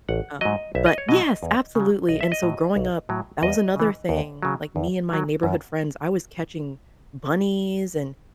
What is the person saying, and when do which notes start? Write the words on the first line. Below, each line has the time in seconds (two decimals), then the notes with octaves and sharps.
uh, but yes, absolutely, and so growing up, that was another thing, like, me and my neighborhood friends I was catching bunnies and
0.09 A1 F#5
0.41 G#2 F#3 D#5
0.75 B1 E5
0.86 D#5
0.98 C#5
1.09 B2 F#3 D#5
1.43 E2
1.75 C#3
1.80 F#3
2.09 B1 D#5
2.21 E5
2.32 D#5
2.42 A2 F#3
2.76 B1
3.09 A2 F#3
3.42 E2 D#5
3.76 C#3 E3
4.09 D#2
4.43 C#3 F#3
4.76 E2
5.10 D#3 F#3
5.43 F#2